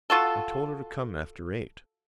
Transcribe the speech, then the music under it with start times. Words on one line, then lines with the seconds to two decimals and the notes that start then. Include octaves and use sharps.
I told her to come after eight.
0.10 F4 F#4 A4